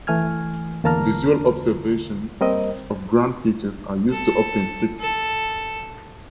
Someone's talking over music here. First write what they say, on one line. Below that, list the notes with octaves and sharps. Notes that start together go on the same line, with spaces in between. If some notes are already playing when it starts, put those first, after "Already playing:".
Visual observations of ground features are used to obtain fixes.
E3 A3 G#5 F6 G#6
E2 D3 A#3 A5 A#5 F6
G3 A#3 C4 A#4 C5 D#5
A4
A4